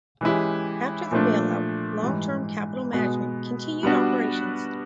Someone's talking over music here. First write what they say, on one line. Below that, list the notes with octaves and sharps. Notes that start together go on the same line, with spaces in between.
After the bailout, Long-Term Capital Management continued operations.
E3 G#3 C#4 E4 G4
A#2 F3 A3 D4
G#2 E3 G3
B2 G#3 B3
G3 B3 D4 F#4